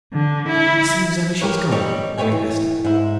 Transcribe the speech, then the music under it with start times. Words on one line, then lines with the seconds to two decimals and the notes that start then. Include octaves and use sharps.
"As soon as ever she's gone," agreed Esther.
0.14 D3
0.49 E4
1.41 G4 A#4 B4 C#5
1.71 G3 G4 A4 C#5 D#5
2.18 D#3 A3 B4 C#5 G5 G#5
2.32 E3
2.85 G#2 E4